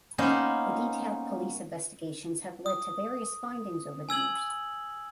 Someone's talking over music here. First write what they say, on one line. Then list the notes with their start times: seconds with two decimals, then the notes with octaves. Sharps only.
The detailed police investigations have led to various findings over the years.
0.18 A#3 B3 C#4 D#4 C5
2.66 D#6
4.09 G#5 E6 G#6 F#7